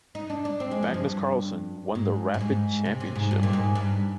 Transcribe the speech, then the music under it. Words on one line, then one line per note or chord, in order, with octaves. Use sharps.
Magnus Carlsen won the Rapid Championship.
D#4
D4
D4
C4
G#3
F3
G2
G#2
G2
G#2
C3
C3
G#2
G2
A#2
G#2
G2